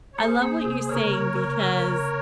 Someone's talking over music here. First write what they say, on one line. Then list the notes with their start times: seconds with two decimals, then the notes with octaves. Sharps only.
I love what you're saying because,
0.13 C#5
0.18 A#3 G#4 C5
0.42 A#3
0.65 C3
0.85 C5
0.89 C#3 A#4 C#5
1.13 C#3
1.36 C#3
1.60 C#3
1.84 C#3